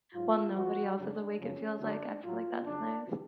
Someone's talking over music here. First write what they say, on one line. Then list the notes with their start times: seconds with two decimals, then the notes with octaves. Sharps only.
while nobody else is awake, it feels like, I feel like that's nice.
0.13 G#2 F#3 F4
0.55 F2 F3 F#4
0.96 F#2 C#3 F#3 D4
1.39 F#2 C#3 F3 C#4
1.81 F#2 D3 F#3 D4
2.22 A2 F#3 F4
2.64 F2 C#3 F#3 D4